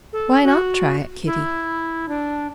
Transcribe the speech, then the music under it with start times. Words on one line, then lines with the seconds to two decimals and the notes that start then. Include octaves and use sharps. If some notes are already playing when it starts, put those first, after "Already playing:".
Why not try it, Kitty?
0.13 A4
0.43 F#4
1.26 E4
2.08 D4